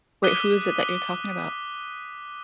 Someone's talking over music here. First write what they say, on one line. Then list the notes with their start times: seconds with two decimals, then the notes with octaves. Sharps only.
Wait, who is it that you're talking about?
0.23 D6 D#6 F#6 B6 D#7 G7